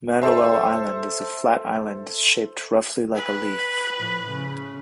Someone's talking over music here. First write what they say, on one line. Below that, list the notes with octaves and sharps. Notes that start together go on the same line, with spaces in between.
Manoel Island is a flat island shaped roughly like a leaf.
A4 C5 E5
B4
A2 F3
A2 C#3